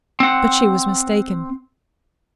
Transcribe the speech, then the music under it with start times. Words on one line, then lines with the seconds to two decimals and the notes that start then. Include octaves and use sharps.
But she was mistaken.
0.20 C4 F#5